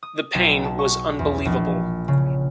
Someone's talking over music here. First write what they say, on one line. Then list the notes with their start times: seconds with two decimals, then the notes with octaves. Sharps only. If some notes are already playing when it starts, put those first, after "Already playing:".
The pain was unbelievable.
0.03 D#6
0.35 B1
0.64 A5
0.79 C#6
1.19 E2
1.45 A#1
2.08 C#3